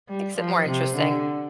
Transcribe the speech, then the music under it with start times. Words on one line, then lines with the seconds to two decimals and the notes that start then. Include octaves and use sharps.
makes it more interesting.
0.09 G3
0.37 F3
0.67 C3
0.96 D3